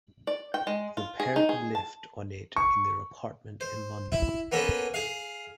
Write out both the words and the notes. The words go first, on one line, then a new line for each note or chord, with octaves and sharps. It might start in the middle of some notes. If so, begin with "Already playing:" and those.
The pair lived on it in their apartment in London.
D5
G5
G#3
F4
G#4
D#4
G#4
A5
C#6
C5
E4
A#3 B3 C#4 A4
G#4 F5